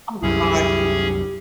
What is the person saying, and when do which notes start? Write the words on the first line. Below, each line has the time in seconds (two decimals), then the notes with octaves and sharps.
Oh god,
0.23 C2 F#2 C#4 E4 G4 G#4